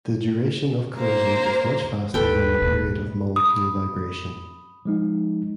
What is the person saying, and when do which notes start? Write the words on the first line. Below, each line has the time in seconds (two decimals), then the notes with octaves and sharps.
The duration of collision is much faster than the period of molecule vibration.
0.98 A#3 C5
2.14 D#2 A4 B4 G5
2.62 D#2 A#2
3.36 B5 D#6
4.85 F3 G#3 D#4